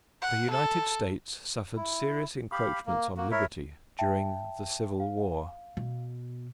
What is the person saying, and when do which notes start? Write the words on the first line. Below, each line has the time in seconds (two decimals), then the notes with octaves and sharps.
The United States suffered serious encroachments on liberty during the Civil War.
0.22 F#5
0.51 A4
1.76 E4
2.52 G4 F5 B5
2.86 A#3
3.17 A#3 F#4
3.31 E4 A#4 C#5 E5
3.99 E5 G5 A5
5.00 F5
5.77 B2